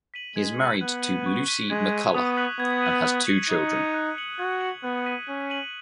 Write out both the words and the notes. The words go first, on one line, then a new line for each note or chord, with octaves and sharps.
He is married to Lucci McCullough and has two children.
B6 D#7 F#7
G#3 G#6
C#7 F#7
B3 F#6
D#7 F#7
C#6
B6 D#7
G#3 G#6
B6 D#7
B3 D#6
F#6 B6 F#7
B3 G#6
D#7 F#7
F#6
C#7 F#7
D#4 D#6
G#6 D#7 F#7
F#6
C#7 F#7
F#4 G#6
C#7 F#7
B3 F#6
B6 D#7
C#4 F#6
D#7 F#7